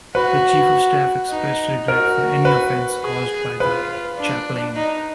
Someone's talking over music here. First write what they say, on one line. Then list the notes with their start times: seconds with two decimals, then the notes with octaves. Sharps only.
The Chief of Staff expressed regret for any offence caused by the chaplain.
0.15 F#4 B4
1.30 D#4
1.88 F#4 A#4
2.45 B4
3.03 G#4
3.60 F4 B4
4.18 D4
4.76 D#4